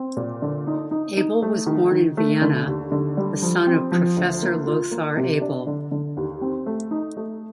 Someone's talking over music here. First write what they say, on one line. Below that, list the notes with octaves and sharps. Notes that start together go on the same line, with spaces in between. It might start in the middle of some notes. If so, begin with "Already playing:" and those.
Abel was born in Vienna, the son of Professor Lothar Abel.
Already playing: C4
A#2
D3
D#4
D#4
D#4
A3
D#3
D#3
A3
D3
D#2
D3
G3
F3
C4
F3
D2
A#3
F4
A#3
C3
D4
D3
D3
D#2
C4
A3
D#4
A3